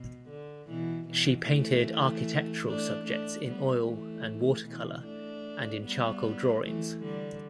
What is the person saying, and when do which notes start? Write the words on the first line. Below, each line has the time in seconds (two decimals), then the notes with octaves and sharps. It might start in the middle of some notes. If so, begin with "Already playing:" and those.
She painted architectural subjects in oil and watercolour and in charcoal drawings.
Already playing: B2
0.29 D3
0.68 B2 E3
1.09 B2 E3
1.48 E3 A3
2.66 A3 D4
3.06 A3 D4
3.46 G3 B3
3.86 E3 A3
4.65 B2 E3
5.04 A3 D4
5.84 G3 B3
6.63 E3 A3
7.03 D3 G3